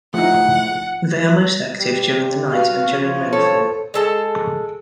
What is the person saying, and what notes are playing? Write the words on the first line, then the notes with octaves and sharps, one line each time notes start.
They are most active during the night and during rainfall.
F3 A3 D#4 E4 G#4 F#5
G3
F#4 B4 F5
F3 C#4
A4 C#5
G#3 A4 A5